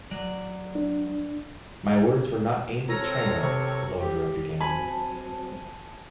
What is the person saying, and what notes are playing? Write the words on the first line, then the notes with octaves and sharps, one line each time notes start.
"My words were not aimed at China," Llodra began.
F#3 D5
D4
C4 A4 A#4 C#5 A#5
C3 C#6
G4
F#3 C4 G#5 A5 B5